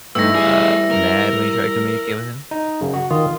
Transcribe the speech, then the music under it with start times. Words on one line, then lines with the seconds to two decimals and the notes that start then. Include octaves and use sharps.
uh, mad when you try to communicate with him?
0.15 G2 E3 A3 D#4 E6 A#6
0.35 G3 A3 G#4
0.91 A#4
2.51 D#4
2.81 F#2 C#3
2.93 F#4
3.11 D#3 F4